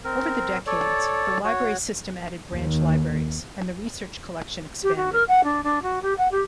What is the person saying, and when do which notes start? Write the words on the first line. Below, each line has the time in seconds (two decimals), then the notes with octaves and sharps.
Over the decades, the library system added branch libraries, and the research collection expanded.
0.05 C4 A#4
0.67 A4 C#5 D5
1.45 F#4 C#5
2.52 D#2
4.83 G4
4.96 F#4
5.12 A#4
5.28 F#5
5.44 D4
5.64 D4
5.82 F#4
6.02 G4
6.18 F#5
6.31 G4